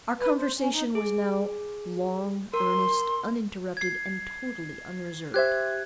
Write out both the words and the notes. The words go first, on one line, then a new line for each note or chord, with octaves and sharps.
Our conversation was now long, earnest, uninterrupted, and totally unreserved.
B4
C5
C#4
D#4
G#4
A#4 C6
G#6 C7
G4 C5 E5 F#6 G#6